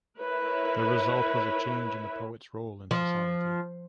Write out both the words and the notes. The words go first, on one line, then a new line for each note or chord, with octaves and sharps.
The result was a change in the poet's role in society.
E4 A#4 B4 C#5 E5
F3